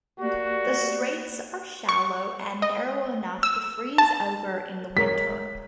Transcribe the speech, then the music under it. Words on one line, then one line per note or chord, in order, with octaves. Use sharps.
The straits are shallow and narrow enough to freeze over in the winter.
A#3 F#4 G4 D5
C#6
D#5
E6
A5
G#3 A#4 C#5 B6